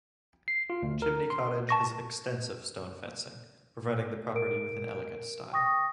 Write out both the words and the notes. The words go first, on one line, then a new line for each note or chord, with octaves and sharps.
Chimney Cottage has extensive stone fencing providing the property with an elegant style.
C7
F4
D2
A#4
C6
A5 C#6 A#6
A#4 D7
G5 C#6 D#6 A#6